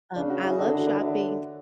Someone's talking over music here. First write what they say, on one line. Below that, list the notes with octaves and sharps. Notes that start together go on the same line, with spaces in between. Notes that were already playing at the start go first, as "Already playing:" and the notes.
Um, I love shopping
C#3 D4
D4 F#4
E4 G#4
D3 F#4 A4
A4 C#5
B4 D5
D3 C#5 E5